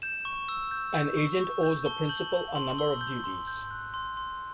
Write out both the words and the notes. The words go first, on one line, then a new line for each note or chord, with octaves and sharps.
An agent owes the principal a number of duties.
G6 E7
C#6
E6
G6
G6
C#6
C#6
G6
A5 G7
G6 F#7
G6
C6 F#7
E6 G7
G6
C6
G6
F#6
C6
C6